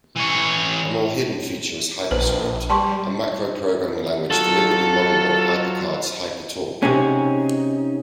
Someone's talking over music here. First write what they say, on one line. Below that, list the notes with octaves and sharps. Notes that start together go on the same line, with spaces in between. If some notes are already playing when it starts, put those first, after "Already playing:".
A more hidden feature was HyperScript, a macro-programming language deliberately modelled on HyperCard's HyperTalk.
E3 C#5
A#1 B4 C5 F#7
G3 A5 C6 C#6
F#3 F4 A4
C3 C#4 D#4 F#4 G#4